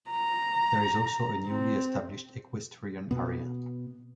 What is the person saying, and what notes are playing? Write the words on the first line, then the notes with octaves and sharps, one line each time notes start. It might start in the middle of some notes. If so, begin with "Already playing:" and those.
There is also a newly established equestrian area.
A#5
C4
B2 B3